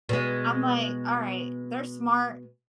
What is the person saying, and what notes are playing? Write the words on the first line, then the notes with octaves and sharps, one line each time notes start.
I'm like, "All right, they're smart
B2 G#3